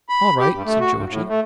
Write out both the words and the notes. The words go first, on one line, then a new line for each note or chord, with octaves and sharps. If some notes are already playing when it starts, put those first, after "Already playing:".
"All right," said Georgie.
B5
G4
G2
A3
F#4
G2
A2
A3